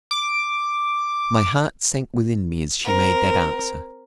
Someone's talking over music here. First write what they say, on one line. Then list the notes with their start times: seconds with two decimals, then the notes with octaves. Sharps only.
My heart sank within me as she made that answer.
0.11 D6
2.84 C4 A#4